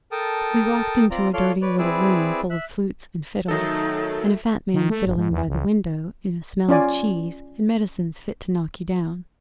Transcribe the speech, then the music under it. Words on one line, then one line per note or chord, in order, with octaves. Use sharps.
We walked into a dirty little room full of flutes and fiddles and a fat man fiddling by the window, in a smell of cheese and medicines fit to knock you down.
A4 A#4 G5 A5 D#6
C4 F4 D5 A#5
F4 A4 C#5 D5 C6 F6
B4 C#5 D5
C4 E4 G#4 B4 D5 E6
E5 F#6
D#3 F#3 A3 D#4 A4
D#3
A3
G1
G#2
E2
C#2
C#4 F4 D5 G#5